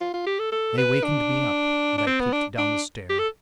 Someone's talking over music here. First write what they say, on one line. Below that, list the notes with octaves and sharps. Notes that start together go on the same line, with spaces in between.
They wakened me up and I peeped down the stair.
F4
F4
G4
A4
A4
B4
D4
D4
C4
B3
D4
D4
G4
A4